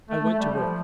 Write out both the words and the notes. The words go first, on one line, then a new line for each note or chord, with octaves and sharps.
I went to work.
A3
A3
G3
F3